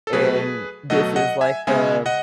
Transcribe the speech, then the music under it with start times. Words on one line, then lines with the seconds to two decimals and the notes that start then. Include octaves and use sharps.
and this is like a
0.07 A4
0.13 B2 F#3 A3 G#4 B4
0.90 B2 F#3 A3 D#5 F#5
1.16 D#5 F#5
1.41 E5 G#5
1.67 C#3 G#3 B3 E5 G#5
2.06 D#5 F#5